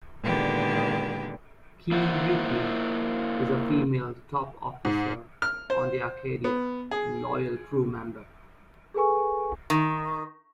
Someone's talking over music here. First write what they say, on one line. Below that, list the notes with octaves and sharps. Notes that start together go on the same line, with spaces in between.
Kei Yuki, is a female top officer on the Arcadia and loyal crew member.
A#2 D3 D#3 G#3 B3 G4
A#3 E4 F4 C5 F#5
G#2
F6
C5
B3
G#4
G#4 A4 B4 G#5 C#6
D#3